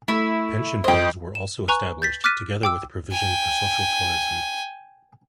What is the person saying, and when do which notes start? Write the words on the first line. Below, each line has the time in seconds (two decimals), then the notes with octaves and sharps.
Pension funds were also established, together with provision for social tourism.
0.08 A3 E4
0.84 F2 C5 D#5 G5
1.35 E7
1.68 B4 G#5 A#5 C#6 F#6
2.02 G6 A6 B6
2.24 D6 F6 F#6 A6 B6 D#7
2.63 G5 D6 E6
3.11 G5 G#5